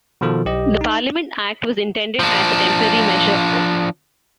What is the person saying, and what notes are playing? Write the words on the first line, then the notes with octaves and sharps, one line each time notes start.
The Parliament Act was intended as a temporary measure.
B2 D#3 F3 F4 A4
B1 G4 D#5
D#4
F3 D4